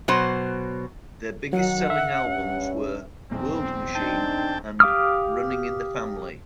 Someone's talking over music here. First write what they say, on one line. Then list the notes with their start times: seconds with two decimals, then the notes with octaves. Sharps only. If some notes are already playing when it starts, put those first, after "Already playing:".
Their biggest selling albums were "World Machine" and "Running in the Family".
0.08 B2 F#3 C5
1.53 D#3 F#3 F#5
1.90 E5
2.24 G2 C#4
3.31 B1 E2 C4
3.95 D4 D#4 G5 A5
4.80 G4 F5 D6 D#6 F6